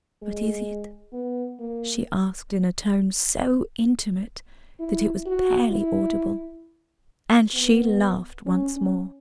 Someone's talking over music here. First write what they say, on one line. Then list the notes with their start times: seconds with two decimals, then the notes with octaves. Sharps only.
"But is it?" she asked in a tone so intimate that it was barely audible. And she laughed once more.
0.22 G#3
1.13 B3
1.60 A#3
4.80 E4
5.26 F#4
5.71 E4
7.54 B3
8.46 C#4
8.76 C#4